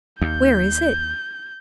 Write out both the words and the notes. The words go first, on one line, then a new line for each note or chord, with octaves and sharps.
'Where is it?
D#2 G6